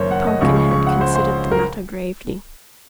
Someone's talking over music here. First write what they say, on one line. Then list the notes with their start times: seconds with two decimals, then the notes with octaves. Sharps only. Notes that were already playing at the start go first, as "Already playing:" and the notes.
The Pumpkinhead considered the matter gravely.
Already playing: F#1 F#2 D#3 A#3 A#4 C5 C#5
0.11 F#5
0.27 D#5
0.41 C#2 C#3 F3 G#3 C#6
0.56 C#6
0.71 C#6
0.86 F#5
1.01 C5
1.16 C5
1.51 A#4